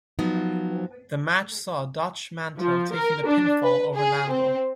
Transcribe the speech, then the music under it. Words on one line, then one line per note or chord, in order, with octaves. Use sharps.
The match saw Dutch Mantell taking the pinfall over Landel.
F3 F#3 B3 D#4
F3
A#4
D4
B4
G#4
C4